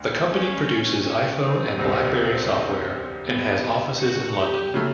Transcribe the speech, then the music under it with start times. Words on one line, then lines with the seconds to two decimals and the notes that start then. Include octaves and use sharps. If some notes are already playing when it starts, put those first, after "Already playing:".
The company produces iPhone and BlackBerry software, and has offices in London.
Already playing: D2
0.29 C#4
1.02 C#4
1.40 C4
1.77 E1 D2 C3
3.25 B3
3.98 F#4
4.36 G4
4.74 C#3 F#3 A3